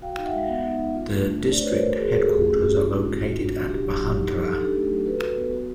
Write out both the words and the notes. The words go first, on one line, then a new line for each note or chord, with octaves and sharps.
The district headquarters are located at Bhandara.
F#4 F5 G5
D#4
E5 F#5
G#3
B3
D#4
D#4
F4
A3
D4
A3
C5 D5
A3
B4 C#5
A3 A#4 C5
F#4
G#4 A#4
F#4
G#4 A#4
F#4 G4 A4
A3 F#4 G#4
C#4 F#4
C#4 G4
E4 F#4
G#3
G#3
F4 F#4
D4 F#4
D4
E4 G4
F#3
F#4
F#3
D#4 G4
D#4
G4 A4
D#4
D4 G4 A4
A3
F#3
F#4 A4 B4
F#4
B3
F#4